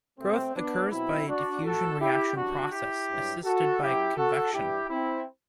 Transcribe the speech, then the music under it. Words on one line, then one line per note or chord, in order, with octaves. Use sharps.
Growth occurs by a diffusion-reaction process, assisted by convection.
B2 G3 A3 C4
B3 D4
B2 F#3 C4 E4
D4 F#4
A2 F#3 F#4 A4
E4 G4
F#2 E3 G3 D4 F#4
E4 G4
G2 F#3
F#4 A4
F#2 F#3 E4 G4
F#4 A4
G2 E3 G3 E4 G4
C4 E4